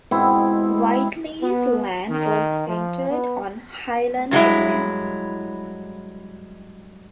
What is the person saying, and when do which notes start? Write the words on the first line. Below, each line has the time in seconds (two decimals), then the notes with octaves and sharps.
Whitley's land was centered on Highland Avenue.
0.11 G#2 B2 C4 E4
1.41 B3
2.08 D#3
2.66 F3
3.09 B3
4.31 G2 F#3 G#3 E4